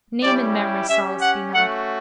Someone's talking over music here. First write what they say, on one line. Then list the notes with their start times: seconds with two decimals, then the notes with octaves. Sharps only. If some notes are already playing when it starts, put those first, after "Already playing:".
Name and memory solace thee not.
0.23 G3 C#4 E4 G4 D5
0.89 C#4 G4 E5
1.21 F#5
1.54 A3 C#4 F#4 F#5